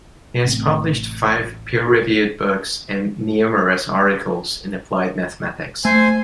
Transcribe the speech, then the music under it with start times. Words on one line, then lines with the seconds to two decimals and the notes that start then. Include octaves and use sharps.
He has published five peer-reviewed books and numerous articles in applied mathematics.
0.45 A1 C3 A3 C4
5.85 A3 C5 G#5